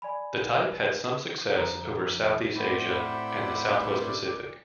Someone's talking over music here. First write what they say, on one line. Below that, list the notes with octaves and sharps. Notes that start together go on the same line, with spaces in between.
The type had some success over South East Asia and the South West Pacific.
D5 G#5 B5
G1 F2 F3 A4 C5 A#5
A2 C4 E4 D5 F#5 G5 B5